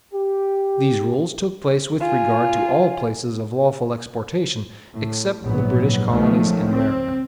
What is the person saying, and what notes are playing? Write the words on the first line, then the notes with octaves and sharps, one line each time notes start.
These rules took place with regard to all places of lawful exportation, except the British colonies in America.
G4
F4 G#5
A2
A#1 G#2 F#3 B3
C#2 D#3 F3 F#3 A3
C4